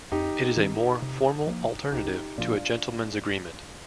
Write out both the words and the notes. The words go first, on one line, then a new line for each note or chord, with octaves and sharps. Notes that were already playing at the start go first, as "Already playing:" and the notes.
It is a more formal alternative to a gentlemen's agreement.
F2 D#4 G4
D#3 G3 C4
C3
F3 A#3
C2 D#4 G4
A#2 F3 D4 F4